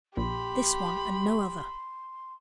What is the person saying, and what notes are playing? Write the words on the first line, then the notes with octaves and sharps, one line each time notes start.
This one and no other.'
A#1 G4 B5 C6